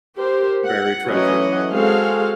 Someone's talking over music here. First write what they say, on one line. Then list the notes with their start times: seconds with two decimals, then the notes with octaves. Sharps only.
buried treasure,
0.16 G4 A#4 C5
0.64 F#5
1.06 E3 F#3 A3 C#4 D#5 F#5
1.70 G#3 C4 F#4 G#4 A4 F5